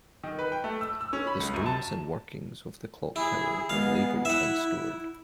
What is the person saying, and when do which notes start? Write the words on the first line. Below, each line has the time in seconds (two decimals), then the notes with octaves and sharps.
The stones and workings of the clock tower were labelled and stored.
0.24 D#3
0.39 B4
0.52 G5
0.64 A3
0.81 E6
1.01 E6
1.13 C#4
1.27 B5
1.40 C#2
1.54 F#2
1.66 A5
3.16 E4 G#4
3.69 G#3 B3 F5
4.25 E4 E5 F#5